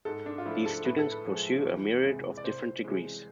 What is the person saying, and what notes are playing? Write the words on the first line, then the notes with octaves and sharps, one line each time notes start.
These students pursue a myriad of different degrees.
G#2 A4
D4
F4
F3 A3 E4
A4
A2 B4
A4
B4
F3 G#3
E2
C3 G#3
D5
C2 C5
C3 E3 G#3